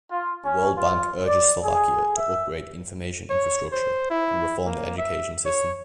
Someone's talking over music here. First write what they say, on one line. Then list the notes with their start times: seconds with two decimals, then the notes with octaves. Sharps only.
The World Bank urges Slovakia to upgrade information infrastructure and reform the education system.
0.11 F4
0.45 C#4
0.77 F4
1.26 D5
1.64 G#4
2.17 E5
3.30 C#5
3.72 C5
4.10 E4
4.66 A#3
4.98 E5
5.46 C#5